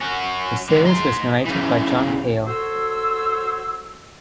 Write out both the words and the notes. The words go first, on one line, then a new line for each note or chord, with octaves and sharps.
The series was narrated by John Peel.
C#4 F#4
D3 G#3
D#4 C6
C#3 E3
F#4 A4 C5 C#5 E6